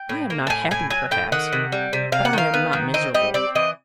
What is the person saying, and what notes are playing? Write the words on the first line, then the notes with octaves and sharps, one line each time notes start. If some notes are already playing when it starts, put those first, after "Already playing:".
I am not happy, perhaps; but I am not miserable.
Already playing: G5
A2
A#3
A5
A2 G#5
A2 G#5
F#3 G#5
A2 G5
D#3 F#5
C3
G3
C3
C3 F5
F#5
D#3 F5
B3
D#3
C4 D#5
G3 D#5
C4 D5
E3 D#5